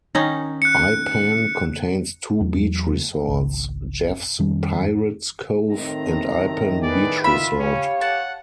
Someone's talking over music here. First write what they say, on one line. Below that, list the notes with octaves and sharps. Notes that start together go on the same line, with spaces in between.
Ipan contains two beach resorts: Jeff's Pirates Cove and Ipan Beach Resort.
D#3 C#4 D#4
F#6 C#7
E2 F#3
G#1 C#2
F2 D#3 G3 C#4
A2 D#3 C4 A#5
G#4 B4 D5
F4 E5 B5
C#4 G4 C#5 F5
F#5 A5